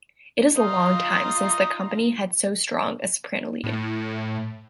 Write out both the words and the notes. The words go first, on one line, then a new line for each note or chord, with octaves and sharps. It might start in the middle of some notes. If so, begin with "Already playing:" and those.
It is a long time since the company had so strong a soprano lead.
D#4 F4 A#5
A2